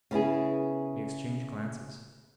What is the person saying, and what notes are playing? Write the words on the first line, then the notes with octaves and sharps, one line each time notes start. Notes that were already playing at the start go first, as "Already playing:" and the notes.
We exchanged glances.
C#3 B3 E4 G#4